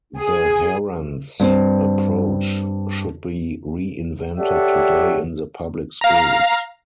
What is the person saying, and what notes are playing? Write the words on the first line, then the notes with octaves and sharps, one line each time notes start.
The Harand's approach should be reinvented today in the public schools.
G#4
G2 C4
G4 A4 C#5 D5 E5 F#5
F5 A#5